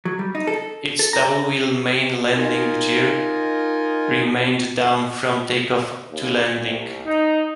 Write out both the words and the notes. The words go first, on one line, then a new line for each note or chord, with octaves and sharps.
Its double-wheel main landing gear remained down from takeoff to landing.
F#3
G3
D#4
A4
A4
A#5
D#4 F4 A#4 D#5 G#5
D#2
C2
D#4